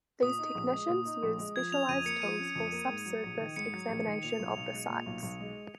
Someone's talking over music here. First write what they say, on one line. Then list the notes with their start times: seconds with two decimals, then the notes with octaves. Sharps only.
These technicians use specialized tools for subsurface examination of the sites.
0.22 A#2 D#6
0.39 D#4
0.55 A#1
0.72 G#3
0.89 A#2
1.05 D#4
1.23 A#1
1.38 G#3
1.56 F3 G#6
1.72 C#4 F7
1.89 F2 D#7
2.05 A#3 C#7
2.22 F3 D#7
2.39 C#4
2.55 F2
2.72 A#3
2.89 G#2
3.05 F#3
3.23 A#1
3.39 D#3
3.56 G#2 C#7
3.73 F#3
3.89 A#1
4.06 D#3
4.23 A#2 F7
4.40 B1
4.57 B1
4.73 G#3
4.89 A#2
5.06 B1
5.23 B1
5.40 G#3